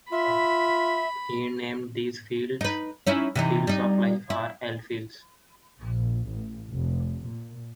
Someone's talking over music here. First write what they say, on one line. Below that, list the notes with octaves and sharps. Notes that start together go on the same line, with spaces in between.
He named these fields "fields of life" or L-Fields.
F4 E5 B5
D#4 B4
C#4 D#4 E4
C3 E3 D#4
G3 D#4
E4
A#1
A1
F1
A#2